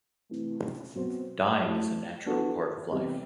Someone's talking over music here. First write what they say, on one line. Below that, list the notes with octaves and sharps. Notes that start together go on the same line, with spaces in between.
Dying is a natural part of life.
C3 E3 A3
B2 F#3 C4 F#4 C5
F#2 F#3 A3 E4 G4
E3 B3 D4 F#4 A4
E2 C3 G3